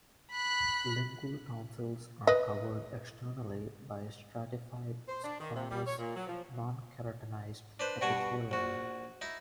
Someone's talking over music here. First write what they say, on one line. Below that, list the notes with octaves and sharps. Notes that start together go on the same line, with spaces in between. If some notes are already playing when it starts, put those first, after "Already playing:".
Lingual tonsils are covered externally by stratified squamous nonkeratinized epithelium.
B5 F#6
B4 D#5
C5
D4
D#3
C3
G3
C#5
A#2
F#3
F3
D4 B4 C5
G2 B2 F#4 F#5 G#5
A#1 F#4
D#4 E4